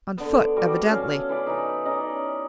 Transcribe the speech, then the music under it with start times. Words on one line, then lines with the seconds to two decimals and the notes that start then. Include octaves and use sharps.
On foot, evidently.
0.17 D3 B3
0.56 G3 F#4 C#6 D6
0.86 C#4 A4 F5
1.29 E3 B4 D5
1.46 E3 D#4
1.85 C#4 D#4 D5 D#5